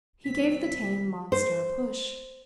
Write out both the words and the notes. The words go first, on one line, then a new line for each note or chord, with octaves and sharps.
He gave the tame monster a push.
C2 D#3 C4 B6
C5